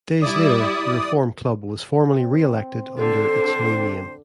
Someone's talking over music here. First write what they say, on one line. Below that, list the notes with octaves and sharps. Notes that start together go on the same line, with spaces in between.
Days later the reformed club was formally re-elected under its new name.
G3 E4 D5 D#6
C4
D3 A4 C5